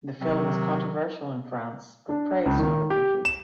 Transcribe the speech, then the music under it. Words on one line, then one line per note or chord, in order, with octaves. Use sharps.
The film was controversial in France but praised in other countries.
C3 D#3 F#3 C4
D4
C#2
D#3
G4
E7